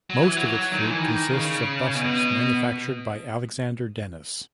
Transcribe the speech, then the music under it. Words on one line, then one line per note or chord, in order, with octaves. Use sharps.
Most of its fleet consists of buses manufactured by Alexander Dennis.
F#3
E3
F#3
D#3
E3
D#3
C#3
B2